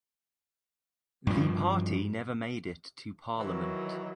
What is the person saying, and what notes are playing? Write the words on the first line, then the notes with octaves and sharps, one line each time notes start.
The party never made it to parliament.
G2 F3
D#3 E3 F#3